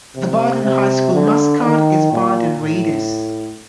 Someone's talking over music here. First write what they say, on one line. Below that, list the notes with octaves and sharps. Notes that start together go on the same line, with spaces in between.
The Burden High School mascot is Burden Raiders.
C3
C3
D3
D#3
A#2
A2